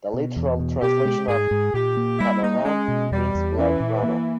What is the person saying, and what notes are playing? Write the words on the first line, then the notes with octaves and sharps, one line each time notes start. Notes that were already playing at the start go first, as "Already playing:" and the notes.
The literal translation of "kalaram" means black Rama.
B2
E2
B2
B2 G4
G#3
G#2 G#4
G#2
A#2 G4
A#3
G3 E4
A#3 D#4
G#3 C#4
B2
E2 G3
E2
E3 C#4
A#2
A#3